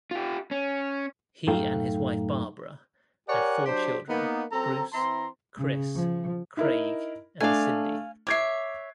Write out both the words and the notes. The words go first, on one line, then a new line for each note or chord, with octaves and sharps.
He and his wife Barbara had four children, Bruce, Chris, Craig and Cindy.
F4 G4
C#4
F#2 A2 D#4 A4 F5 G5
G4 A#4 C#5 D5 F#5 G#5
F#3 D4 G4 C5
A#3 B3 D#4
F#2 C4 A4 A#5
E3 C4 E4 A#5 C6
C#3
F3
D#4 E4 A#4
A3 D4 F5 G#5
C#5 E5 D6 G#6 C7